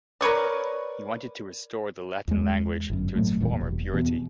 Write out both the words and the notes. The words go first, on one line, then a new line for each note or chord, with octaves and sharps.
He wanted to restore the Latin language to its former purity.
A#4 B4 C#5 D5
E2 G#3
G1 F#2
A2 C#3 F#3 A3
D#1 E2 A#2 G3
E1
E2 B2